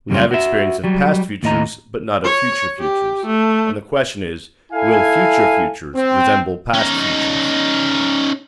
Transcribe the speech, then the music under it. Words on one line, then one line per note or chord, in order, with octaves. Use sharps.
We have experience of past futures, but not of future futures, and the question is: Will future futures resemble past futures?
F#2 C#3 G3 C4 C#4 F4
F#4 E5
F#3 G3
D#2 A2 D#5 A#5
C#5
G4
A3
E4 A4 F5 G#5
C4
C#4 D#4